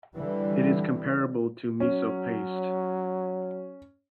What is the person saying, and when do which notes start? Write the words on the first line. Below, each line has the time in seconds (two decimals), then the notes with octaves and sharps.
It is comparable to miso paste.
0.15 D3 E3 G3
1.80 F#3 C#4